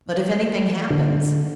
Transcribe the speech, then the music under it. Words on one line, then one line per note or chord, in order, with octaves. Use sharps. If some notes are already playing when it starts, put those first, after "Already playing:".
"But if anything happens-?"
D3